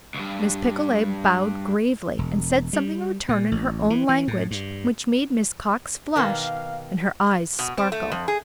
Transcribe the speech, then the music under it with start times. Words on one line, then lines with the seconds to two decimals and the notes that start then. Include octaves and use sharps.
Miss Picolet bowed gravely and said something in return in her own language which made Miss Cox flush, and her eyes sparkle.
0.14 C#2 G2
2.19 E1
2.73 G3
3.29 A#2
3.52 A1
3.90 E3
4.09 E3
4.28 A2
4.51 G2
6.16 B2 D#3 A#3 F5
7.59 B2
7.78 C4
7.92 A3
8.12 F2
8.28 G#4